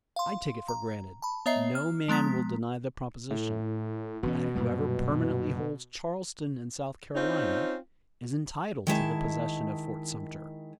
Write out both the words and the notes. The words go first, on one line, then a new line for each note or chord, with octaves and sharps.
I take it for granted, no man will deny the proposition, that whoever permanently holds Charleston and South Carolina is entitled to the possession of Fort Sumter.
F5 C6
A#5
A5 B5
B3 C#5 D#5 E5 A#5 C7
F6
F3 G#3 B3 A#5 B6
A2
E1 B2 E3 C#4
F#2 A#2 G3
C4 C#4 D#4 F4
D#3 G#3 E4 A5